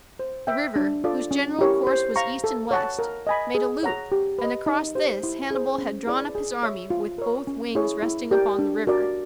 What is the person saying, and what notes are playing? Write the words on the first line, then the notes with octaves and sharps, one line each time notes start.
The river, whose general course was east and west, made a loop, and across this Hannibal had drawn up his army with both wings resting upon the river.
C5
E5 G5
D4
F4 A4 D5
C#4
E4 G4 A#4 C#5
C5
F5 A#5 C#6
A4
C#5 F#5 A5
A#4
D#5 G#5 B5
G#4
C#5 F#5 A#5
G4
B4
D#5
D#4
G4 C5
E4
G#4 C5
C#4
E4 G#4 B4 D5
G#4
C#5 E5
F4
A#4 C#5
C#4
E4 G#4 C#5
E4
G4 A#4 D5 G5
D4
F#4 A#4 D5